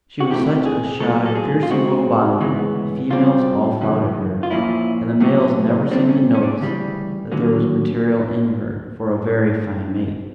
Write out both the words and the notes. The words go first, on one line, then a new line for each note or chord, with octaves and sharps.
She was such a shy, fearsome little body, the females all flouted her; and the males never seemed to notice that there was material in her for a very fine mate.
F#4
E2 C3 E3 A3 G4
G#4
A2 F#3 B3 A4
A4
G#4
F4
B2 G#3 C4 F#4
D2 C#3 E3 G#3 B3
B2 G3 C4 F4
F#2 C#3 E3
F4
A#2 F3 A#3 C#4 E4
A2 F#3 A#3 C#4
E2 C3 E3 G3 C4 D4
C#4
C#4
D4
D2 C#3 E3 G3
D#2 D3 F#3 A#3 C#4